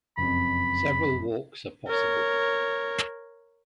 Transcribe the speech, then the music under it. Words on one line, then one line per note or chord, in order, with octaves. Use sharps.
Several walks are possible.
F#1 F2 B5
A#4 C#5